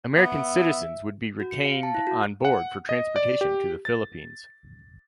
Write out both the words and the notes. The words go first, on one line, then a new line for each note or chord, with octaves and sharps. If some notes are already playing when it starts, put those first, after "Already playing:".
American citizens would be retained on board for transportation to the Philippines.
B3 E5
F#4
C#7
F5
A5
E4
F#4
F#5
D#5
D5
G4
A6